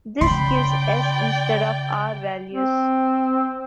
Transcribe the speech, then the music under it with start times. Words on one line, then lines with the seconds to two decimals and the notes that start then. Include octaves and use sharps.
This gives S instead of R values.
0.21 C#3 D5 G5 B5 C6
2.53 C4